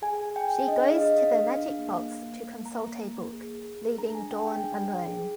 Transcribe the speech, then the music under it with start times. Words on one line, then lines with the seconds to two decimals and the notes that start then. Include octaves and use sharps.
She goes to the Magic Box to consult a book, leaving Dawn alone.
0.02 G#4 G#5
0.25 G#4
0.36 G5
0.46 G#4
0.68 D4 D#5
0.85 F5
0.91 G#4
1.01 D#5
1.12 G#4
1.18 F5
1.34 D4
1.56 D4
1.79 A#3
2.00 A#3
2.22 A#3
2.44 A#3
2.66 A#3 A#5
2.88 A#3
3.10 A#3
3.33 G#4
3.54 G#4
3.76 G#4
3.98 D4 A#5
4.15 G#5
4.20 D4
4.31 G5
4.42 G#4
4.47 G5
4.65 D4
4.86 G#4
5.08 G#4